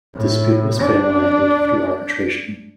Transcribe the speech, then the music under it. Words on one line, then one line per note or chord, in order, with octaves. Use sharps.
The dispute was finally ended through arbitration.
A2
D4